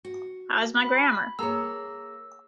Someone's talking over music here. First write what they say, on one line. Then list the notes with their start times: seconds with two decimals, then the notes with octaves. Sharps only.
How is my grammar?
0.05 F#4
0.80 B5
1.39 A#3 G#4 C#5 A#5 E6